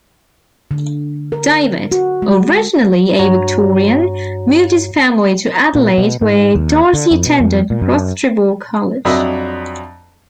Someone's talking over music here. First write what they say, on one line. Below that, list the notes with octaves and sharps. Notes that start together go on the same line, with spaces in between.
David, originally a Victorian, moved his family to Adelaide where Darcy attended Rostrevor College.
D3
A#4
F#4
G#3
G2 F#4 C#5 A#5
A#2
B2
G#2
D#2
D3
F2
B2
F2
A#2
F#2
F2 F#3 D4 D#5 E5 B5